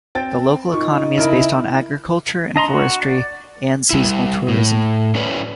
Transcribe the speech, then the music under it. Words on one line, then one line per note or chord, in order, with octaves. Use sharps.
The local economy is based on agriculture and forestry, and seasonal tourism.
C4 G5 A6
A#2 D#4 C#6
C#3 E4 A#4
D4 D#5 A#5 C6
F#4
D5
G3 E4
A2
C#4 E4 B4 C#5 D5